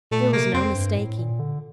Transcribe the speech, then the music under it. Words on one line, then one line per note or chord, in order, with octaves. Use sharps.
There was no mistaking.
A#2 A3
C3 A#3
F2 C4
G2
A2
A#2
D3